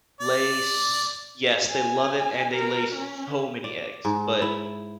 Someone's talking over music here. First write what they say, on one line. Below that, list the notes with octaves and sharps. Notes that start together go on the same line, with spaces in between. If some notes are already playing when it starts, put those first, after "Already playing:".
lay s Yes, they love it and they lay so many eggs, but
D5
G#5
A#4
C#4
D5
G#2
E4